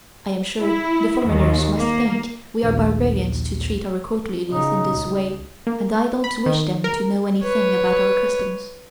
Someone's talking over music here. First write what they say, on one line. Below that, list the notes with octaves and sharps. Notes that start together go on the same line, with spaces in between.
I am sure the foreigners must think we are barbarians to treat our Court ladies in this way and I don't wish them to know anything about our customs.
E4
D#2
A#3
A#1 D#2
C#3 D#4
C#2
A#3
B5
D#3
A#4
B4 C#5